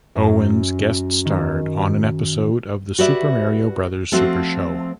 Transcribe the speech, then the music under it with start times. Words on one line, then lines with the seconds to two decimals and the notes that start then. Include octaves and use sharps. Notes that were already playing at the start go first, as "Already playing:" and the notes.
Owens guest starred on an episode of The Super Mario Brothers Super Show!
0.15 F#2
1.25 D#3
2.99 F#4 G4 B4 D5 E5
4.12 F3 A3 C4 F#4